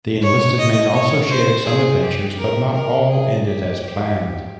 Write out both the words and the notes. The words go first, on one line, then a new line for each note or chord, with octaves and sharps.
The enlisted men also shared some adventures but not all ended as planned.
C#5
D#5
C#5
C5
G#4
G4
A#4
A#4
G#4
G4
G4